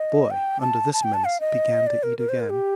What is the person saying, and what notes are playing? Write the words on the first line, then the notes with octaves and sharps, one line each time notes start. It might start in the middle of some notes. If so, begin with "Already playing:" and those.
The boy, under this menace, began to eat again.
Already playing: D#5
G5
A5
A5
G5
A5
F5
D#5
D5
A#4
A#4
C5
A#4
G4